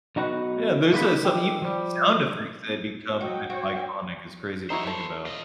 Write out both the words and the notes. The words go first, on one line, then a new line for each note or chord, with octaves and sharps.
Yeah and there's, uh, some e sound effects that become kind of iconic, it's crazy to think about.
B1 D#4 F#4 B4 F#5
G#3 A#3 F4 D#5 F#5 B5
D#3 G4
F3 G3
F#3 F#4 D#5 G5
F#4 C5 C#5
D#4 E4 F#4 C5 C#5
A4 B5
F4 D#5